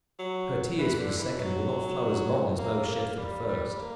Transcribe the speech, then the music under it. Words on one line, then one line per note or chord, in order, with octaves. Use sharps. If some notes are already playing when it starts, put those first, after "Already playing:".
Her tears for the second will not flow as long as those shed for the first.
F#3
E3
D3
E3
F#3
A#3
A#3
G3
G3
A#3